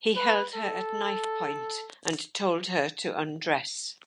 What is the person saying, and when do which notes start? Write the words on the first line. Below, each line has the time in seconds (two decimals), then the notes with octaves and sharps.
He held her at knifepoint and told her to undress.
0.16 B4
0.55 A4